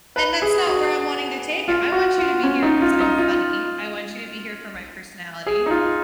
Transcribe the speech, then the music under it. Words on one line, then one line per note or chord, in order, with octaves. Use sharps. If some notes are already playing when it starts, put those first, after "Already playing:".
And that's not where I'm wanting to take it. I want you to be here 'cause I'm funny, I want you to be here for my personality.
B4
G#4
F#4
F4
F#4
F4
C#4
D#4
F4
D#4
F4
G#4
D#4
F4